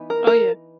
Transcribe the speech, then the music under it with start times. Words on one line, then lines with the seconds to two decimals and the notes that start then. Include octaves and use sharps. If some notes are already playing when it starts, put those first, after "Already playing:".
Oh, yeah.
Already playing: E3 B3 D#4
0.10 A#4
0.27 A#4